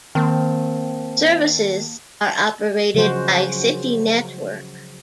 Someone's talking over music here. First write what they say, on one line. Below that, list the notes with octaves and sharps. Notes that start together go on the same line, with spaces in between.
Services are operated by City network.
D#3 A#3 C4 A5
C#3 F3 F#3 G#3 F#4 C5